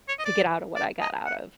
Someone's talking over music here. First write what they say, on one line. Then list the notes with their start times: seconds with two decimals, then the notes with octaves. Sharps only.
to get outta what I got out of,
0.08 C#5
0.19 D#5
0.25 D5
0.76 D5
1.00 D#5
1.26 F#5